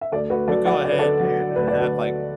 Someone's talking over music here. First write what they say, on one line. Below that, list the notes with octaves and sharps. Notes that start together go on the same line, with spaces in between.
You go ahead and, uh, have, like
E5
D2 A4 D5
D2 F#4 B4
F#3 A4 D5
F#3 D5 F#5
D3 D5
B4
D3 A4 D5
F#3
D3
D2 B4
D5
D2
F#4 B4